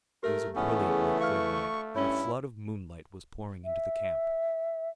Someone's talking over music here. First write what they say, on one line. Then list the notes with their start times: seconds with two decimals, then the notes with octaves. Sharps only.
It was a brilliantly clear night and a flood of moonlight was pouring into the camp.
0.23 A3 G4 A#4
0.56 C#3 E3 A3 B3 C#4
0.87 G#4
1.21 F5 C#6 F6
1.95 G2 C#4 E4 C#5
3.65 E5